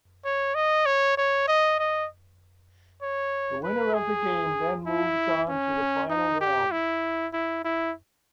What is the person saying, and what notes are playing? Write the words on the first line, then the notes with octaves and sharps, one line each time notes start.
The winner of the game then moves on to the final round.
C#5
D#5
C#5
C#5
D#5
D#5
C#5
B4
G#4
E4
C#4
D#4
G4
E4
E4
E4